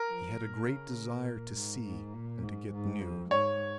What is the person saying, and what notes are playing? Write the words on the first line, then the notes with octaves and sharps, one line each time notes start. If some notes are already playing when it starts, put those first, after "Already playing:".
He had a great desire to see, and to get news.
Already playing: A#4
F3
A#2
C#3
A#2
G#2
G#2
A#2
G#2
G#2
F2
G#2 C#5